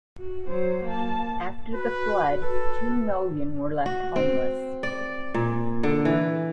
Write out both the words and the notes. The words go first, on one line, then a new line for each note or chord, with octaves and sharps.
After the flood, two million were left homeless.
F#4
F#3 C5
A#3 A5
F#4 B4
A4 B4
F#4
C4
D5
A#2
D3
E3